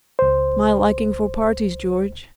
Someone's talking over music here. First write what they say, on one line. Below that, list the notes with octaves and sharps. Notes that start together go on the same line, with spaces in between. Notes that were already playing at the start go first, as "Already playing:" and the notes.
"My liking for parties, George."
C#2 C5